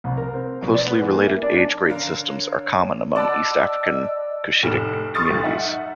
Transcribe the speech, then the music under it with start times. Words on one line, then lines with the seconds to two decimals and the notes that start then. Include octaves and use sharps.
Closely related age-grade systems are common among East African Cushitic communities.
0.04 C2
0.17 A#4
0.34 C4
0.63 B1
0.74 D5
0.86 B3
1.01 E3
1.14 A#3
1.27 E5
1.43 D4
1.57 D4
1.89 D3 A#4 C#5 F5
3.16 D5 D#5 F#5 A5 B5 E6
4.63 F1 A2 F6 E7
5.15 C6 C#6 D#6 F6 A6
5.30 B1 F#5
5.43 D#4 E5 F#5